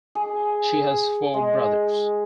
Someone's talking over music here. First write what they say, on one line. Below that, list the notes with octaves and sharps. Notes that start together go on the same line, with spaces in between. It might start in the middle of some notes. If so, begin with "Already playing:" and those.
She has four brothers.
G#4
G#3